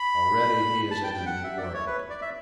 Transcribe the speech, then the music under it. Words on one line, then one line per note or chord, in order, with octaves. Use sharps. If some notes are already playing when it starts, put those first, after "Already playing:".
Already he is in a new world.
Already playing: B5
A5
G5
G5
F#5
E5
D5
E5
C#5
B4
D5
E5